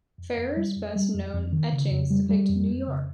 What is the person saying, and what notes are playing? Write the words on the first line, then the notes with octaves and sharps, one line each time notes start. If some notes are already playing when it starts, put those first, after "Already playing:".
Farrer's best known etchings depict New York.
F2
F2
G3
F2
G3
F2
F2
D#3
C#3
F2
G3
G3
F2
F2
C#3